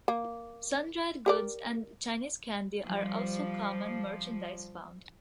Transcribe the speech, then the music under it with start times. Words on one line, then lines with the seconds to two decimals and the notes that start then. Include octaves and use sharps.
Sun-dried goods and Chinese candy are also common merchandise found.
0.08 A#3
1.26 G4 A#4 D5
2.87 F3 G3